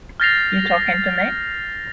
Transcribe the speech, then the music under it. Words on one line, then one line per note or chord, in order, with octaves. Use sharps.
You talking to me?
F6 G6 A6 A#6 C7 F7